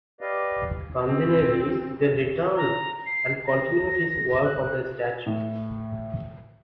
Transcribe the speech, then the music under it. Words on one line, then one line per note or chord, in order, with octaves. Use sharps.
Bandinelli then returned and continued his work on the statue.
G4 B4 D5 D#5 F5
C4
A#5
C7
A#6
F#6
A2